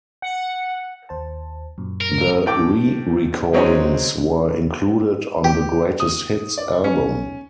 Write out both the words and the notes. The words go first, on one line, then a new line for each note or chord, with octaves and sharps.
The re-recordings were included on the greatest hits album.
F#5
D#2 C5 A5
F#2 A#2
A#4
A2 G5 D6
F#3 G#3 C4 C#4 D#4 C#5
G4
D#6
D5
C#4